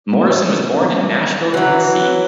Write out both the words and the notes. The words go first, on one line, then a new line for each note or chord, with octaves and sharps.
Morrison was born in Nashville, Tennessee.
E3 F#3